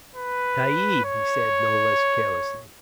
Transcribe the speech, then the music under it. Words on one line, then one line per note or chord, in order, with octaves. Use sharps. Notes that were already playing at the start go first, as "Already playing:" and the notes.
"Tayeeb," he said, no less carelessly.
B4
C#5